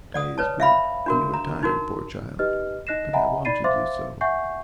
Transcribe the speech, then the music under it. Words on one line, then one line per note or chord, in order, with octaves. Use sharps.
"Clay is good, and you are tired, poor child; but I wanted you so."
D5 F#5 D#6
B4 C#5 A5
E5 F5 B5
D4 F#4 A#4
A#5
D#4 F#4 A#4
D#4 G4 B4 D#5 F6
D#4 D#5 F#6 A#6 C7 E7
D#5 E5 F#5 G#5 A#5 B5
D#4 D5 B5 A6 C7 D#7
C5 E5 F5 C6 D6 A6
E5 F#5 G#5 C#6 G6 C7